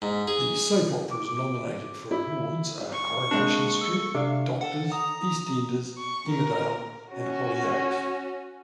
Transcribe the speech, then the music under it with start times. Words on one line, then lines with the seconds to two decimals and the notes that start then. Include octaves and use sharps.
The soap operas nominated for awards are "Coronation Street", "Doctors", "EastEnders", "Emmerdale" and "Hollyoaks".
0.02 G#2
0.27 G#4
1.11 D6
2.11 E4
2.92 C#6
3.31 G#3 A#3 C4 D4
3.81 A4
4.15 C3 D4 F5
4.61 A4 F#5
4.92 A#5 D#6
5.98 C#6
6.29 A#4
7.11 C#4 F#4